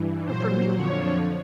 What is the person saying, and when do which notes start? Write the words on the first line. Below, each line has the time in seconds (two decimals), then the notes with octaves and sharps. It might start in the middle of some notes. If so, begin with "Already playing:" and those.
You know, for me,
Already playing: G2 E3
0.26 A#2 F#3 C5
0.75 F2 D3 F3 C#5